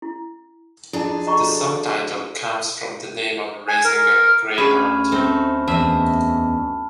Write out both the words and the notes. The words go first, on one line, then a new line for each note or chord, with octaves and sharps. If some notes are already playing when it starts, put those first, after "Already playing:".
The song title comes from the name of a racing greyhound.
E4
F2 D4 E4 G#4 A5
F#4 A4 D#5 A#5 C#6
G#5
A#4
D2 C#4 G#4 B5 F6
A3 C4 D#4
E2 D#5 E5 A5